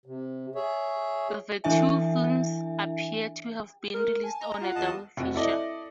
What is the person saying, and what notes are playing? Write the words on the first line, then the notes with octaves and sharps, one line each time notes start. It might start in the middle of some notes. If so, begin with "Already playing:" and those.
The two films appear to have been released on a double feature.
C3
G#4 C#5 E5
E3 D4 E4 E5 G#5
A#4
G#5 A5
D#5 A#5
F4 F#5
E2 D#5 A5
F1 F#4
E4 A4 D5 D#5